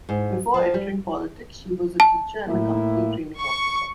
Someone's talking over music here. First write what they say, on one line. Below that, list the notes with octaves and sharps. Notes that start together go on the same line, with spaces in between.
Before entering politics, she was a teacher and a company training officer.
G#2
F3
G3
A5
A2 A#3 E4
C#6